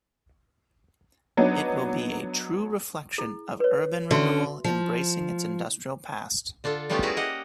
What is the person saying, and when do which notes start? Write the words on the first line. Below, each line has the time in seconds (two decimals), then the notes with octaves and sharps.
It will be a true reflection of urban renewal embracing its industrial past.
1.37 F#3 B3 D4 D#4
3.18 E4 G#4
3.60 B4 C#5
4.11 D3 C#4 F#4 E5 C6
4.64 F3
6.64 D3 D4 F4 A4
6.90 G3 A3 B3 C#4 F4 G4
7.03 E4 F#4 G#4 A#4 B4
7.17 A#3 G4 D#5 F#5